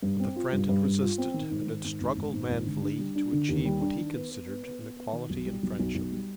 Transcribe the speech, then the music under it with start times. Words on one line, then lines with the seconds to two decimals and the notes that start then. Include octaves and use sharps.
But the friend had resisted, and had struggled manfully to achieve what he considered an equality in friendship.
0.03 G2
0.20 C4
0.36 F4
0.53 G2
0.69 G2
0.85 G2
1.02 F4
1.18 C4
1.34 D#3
1.51 G#2
1.67 D#3
1.84 G#2
2.01 G#1
2.17 G#1
2.34 G#2
2.49 G#1
2.66 D3
2.82 D4
2.99 G3
3.15 D4
3.32 D3
3.49 D#2
3.65 G3
3.81 D4
3.97 D#3
4.15 B3
4.31 B3
4.47 B3
4.63 B3
4.80 B3
4.96 B3
5.13 D#3
5.30 B1
5.46 G3
5.63 B1
5.79 B1
5.95 B1
6.12 G3